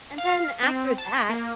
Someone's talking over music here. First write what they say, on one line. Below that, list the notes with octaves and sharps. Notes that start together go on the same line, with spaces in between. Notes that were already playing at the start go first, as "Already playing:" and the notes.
And then, after that
F5
C4
A5
A#3